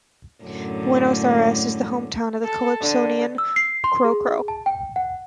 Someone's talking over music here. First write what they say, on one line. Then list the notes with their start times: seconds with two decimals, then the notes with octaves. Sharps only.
Buenos Ayres is the hometown of the calypsonian Cro Cro.
0.44 F#2 A2 D3
2.45 A4
2.82 D3
3.38 E6
3.56 C7
3.84 C6
4.04 G#4
4.48 A5
4.66 G5
4.96 F#5